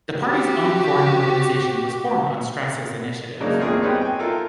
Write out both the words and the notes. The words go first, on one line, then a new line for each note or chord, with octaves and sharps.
The party's own foreign organization was formed on Strasser's initiative.
F#4 G4
C#3 F#3 G#3 A#3 D4 D#4
A1 E2 A#3 C4 F4 G#4
G3 B3 C4 D#4 B4 C#5
G5 G#5
E4 F4 A4 A#4 F5